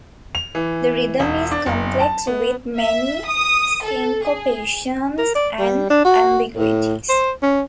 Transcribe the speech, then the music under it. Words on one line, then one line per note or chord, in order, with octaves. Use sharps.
The rhythm is complex with many syncopations and ambiguities.
F7
E3
E1
D4
F#1
A5
B3
E5
D#6
A4
G#4
A#4
D5
G3
D4
F#4
A2
C5
C#4